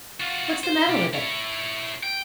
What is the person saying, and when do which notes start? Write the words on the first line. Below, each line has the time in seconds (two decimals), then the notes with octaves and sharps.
What's the matter with it?'
0.20 F4 F#4
0.64 C5
0.87 B2 G4
1.13 E4 C#5
2.03 G5